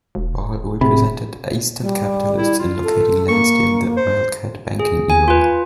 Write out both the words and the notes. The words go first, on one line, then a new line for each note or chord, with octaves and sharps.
Ball represented eastern capitalists in locating lands during the "wildcat banking" era.
E1
A2 C3 G#4 B5
G3
E4
F4
A4
A#3 C#6
C5
G#4
G#5
F4 B4